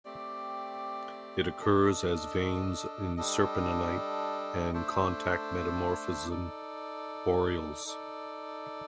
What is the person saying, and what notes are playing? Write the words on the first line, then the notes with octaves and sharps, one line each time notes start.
It occurs as veins in serpentinite and contact metamorphism aureoles.
A3 C4 G4 D5
D4 A4 D#5
G3 D4 A4 D#5
A3 D4 A4 C5
D#4 A4 D5
D#4 A4 D5